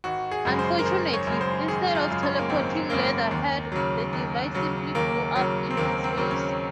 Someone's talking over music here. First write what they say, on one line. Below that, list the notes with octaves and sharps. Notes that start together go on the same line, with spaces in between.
Unfortunately, instead of teleporting Leatherhead, the device simply blew up in his face.
G#1 F#4
G#4
F#2 C#3 G#3
C5
A#4
G#1 C5
C#5
F#2 C#3 G#3
C5
G#1 G#4
F4
F#2 C#3 G#3
C#4
A#3
G#1 C4
F#2 C#3 G#3 A#3
D#2
C#3 F#3
D#2
C#3 F#3
D#2 A#3
C#3 F#3
C4
D#2 A#3
C4
C#3 F#3
C#4